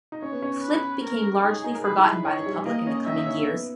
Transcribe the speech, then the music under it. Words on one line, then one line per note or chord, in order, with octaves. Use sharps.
Flip became largely forgotten by the public in the coming years.
D#4
C#4 C#5
B3
C#4
B4
A#4
D#4 G#4
D#4
A#4
G#4 B4
E4
D#4
D#4 C#5
G3
A#3 D#5
C#4
D#4 E5
D#4
C#4
B3